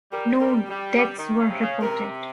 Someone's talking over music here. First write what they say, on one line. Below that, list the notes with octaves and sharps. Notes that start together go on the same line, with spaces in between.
No deaths were reported.
G3 A#4
G3 A#4
G3 G4
G3
D#3
C#3
C3
C#3
C3 A#4